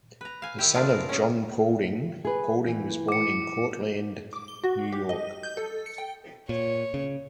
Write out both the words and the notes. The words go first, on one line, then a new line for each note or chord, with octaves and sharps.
The son of John Paulding, Paulding was born in Cortlandt, New York.
B4 A#5
F5 G#5
D#3 E4 G4
D4 E4 F4 G#4 D5 F5
A#4
C#4 G#4
G#4 B4
E3
D6 C#7
D6
G7
F#4
G4
D#5
G6
A4
C#7
G5
A#2 C#5
C#3